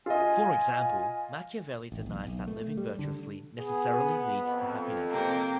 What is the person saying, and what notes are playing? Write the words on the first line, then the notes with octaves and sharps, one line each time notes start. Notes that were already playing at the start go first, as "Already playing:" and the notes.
For example, Machiavelli denies that living virtuously necessarily leads to happiness.
F4 D#5 G#5
A1
B1
B1
A3
G3
D3
B3 G#4
F2
C3 A#3 G4